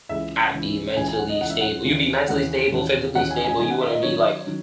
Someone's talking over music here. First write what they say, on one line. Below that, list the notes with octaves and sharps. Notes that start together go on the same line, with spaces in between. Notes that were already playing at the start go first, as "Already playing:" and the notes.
happy, mentally stable you'll be mentally stable, physically stable, you wouldn't be, like,
C#2 C#3 E3 E5
C#2 C#3 E3
C#2 C#3 E3 G#5
G#5
F#5
D#5
C#2 C#3 E3 F#5
E5
F#5
D#2 C#3 E3
D#2 C#3 E3 F#5
D#2 C#3 E3
D#2 C#3 E3 F#5
G#5
G#5
F#2 D#3 F#3 G#5
F#5
E5
D#5
F#2 D#3 F#3 C#5
D#3 F#3